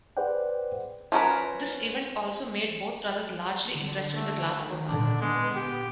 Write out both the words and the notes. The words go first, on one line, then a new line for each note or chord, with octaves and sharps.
This event also made both brothers largely interested in the Glasgow Bank.
G#4 B4 C5 D5 F#5 G5
F3 C#4 F#4 A#4 B4
D3
A3
D#3
A#2 D3 D4
A#2 G#3 B3
G4